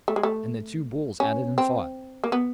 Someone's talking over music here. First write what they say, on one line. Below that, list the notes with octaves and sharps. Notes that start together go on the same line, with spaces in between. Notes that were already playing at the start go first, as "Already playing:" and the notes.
And the two bulls at it and fought.
A3
G#3
A3
C#4
C4
A#3
B3